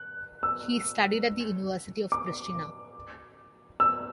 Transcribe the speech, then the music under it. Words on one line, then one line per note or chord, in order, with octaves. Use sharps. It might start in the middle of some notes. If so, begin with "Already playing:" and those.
He studied at the University of Prishtina.
Already playing: F#6
E6
D6
E6